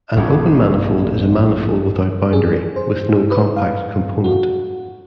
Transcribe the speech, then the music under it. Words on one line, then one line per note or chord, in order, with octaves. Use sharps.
An open manifold is a manifold without boundary with no compact component.
A#1 F2
G#4
C5
B4
F5
F#4